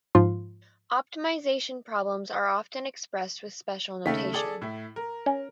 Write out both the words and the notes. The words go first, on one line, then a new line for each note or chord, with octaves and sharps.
Optimization problems are often expressed with special notation.
G#2 F3 F4 F5 C6
D#2 C#3 A3 B6
G#4 A4 D5
A2 E4
A#4
C#4